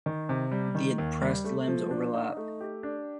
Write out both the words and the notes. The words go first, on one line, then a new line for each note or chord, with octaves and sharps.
The adpressed limbs overlap.
D#3
C3
G3
D#3
D#2
G3
A3
F3
D4
D#4
A3
G4
D4